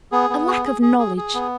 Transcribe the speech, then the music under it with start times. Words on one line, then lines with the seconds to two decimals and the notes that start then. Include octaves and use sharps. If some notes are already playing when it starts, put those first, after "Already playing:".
A lack of knowledge.
0.12 B3 G#4
0.30 B3
0.47 G#4
0.65 G#4
0.82 G#4
0.99 G#4
1.17 G#4
1.34 B3